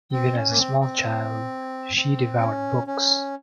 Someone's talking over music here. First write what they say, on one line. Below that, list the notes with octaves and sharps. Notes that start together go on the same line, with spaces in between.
Even as a small child she devoured books.
C4
C#4
A#3
C4
C4
C4
C#4
C#4